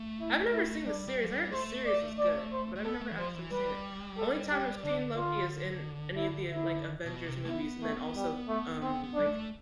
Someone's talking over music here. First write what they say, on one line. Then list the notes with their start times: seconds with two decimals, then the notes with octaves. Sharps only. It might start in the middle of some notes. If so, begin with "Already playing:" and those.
I've never seen the series. I heard the series was good, but I've never actually seen it. Only time I've seen Loki is in any of the, like, Avengers movies. And then also, um, like,
Already playing: A3
0.20 E4
0.52 E4
0.86 G3 D4
1.08 G3
1.24 F3
1.30 G3
1.52 A3 C5
1.86 D5
2.18 D5
2.52 C5
2.76 A3
2.84 B3 A4
3.01 A3
3.11 E3
3.18 F3 C5
3.35 E3
3.51 G3 B4
4.18 A4
4.51 G4
4.84 D3 D4
5.17 F4
6.16 E4
6.50 E4
7.05 B2
7.26 C3
7.45 A3
7.49 B3 E4
7.82 A3
8.15 G3
8.48 A3
8.82 B3 C4
9.03 B3
9.15 G3 D4
9.26 A3